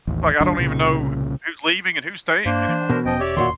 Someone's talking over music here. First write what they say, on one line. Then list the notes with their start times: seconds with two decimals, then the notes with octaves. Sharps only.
like, I don't even know who's leaving and who's staying anymore.
0.07 A1 D#2
0.41 G1 D2 F#3 D4
0.57 C2 A#2 C#3
2.46 G2 A#3 D4 C5
2.69 E3
2.90 B2 A#4
3.05 E1 F3 C#4 D#5 G5
3.20 G4 C#5 D5 E5
3.37 D#2 A#2 F#4 C6